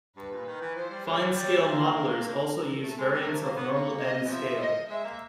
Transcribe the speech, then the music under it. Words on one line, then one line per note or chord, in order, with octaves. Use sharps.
Finescale modellers also use variants of normal N scale.
G2 B4
A#2
D#3
E3
F3 C5
G3
G#3 C#5
F#3
G3 C#5
A#3 C5
A#4
A#4
A#4
A3 A4
G#3
G3 A#4
A3
A#3 C5
B3
A#3 C#5
D#5
E3
F3 E5
D#5
G#3 E5
A#3